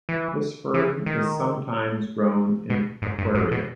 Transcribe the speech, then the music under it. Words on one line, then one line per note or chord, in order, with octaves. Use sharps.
This fern is sometimes grown in aquaria.
E3
E3
D#3
B2
G#2
G2
G#2
B2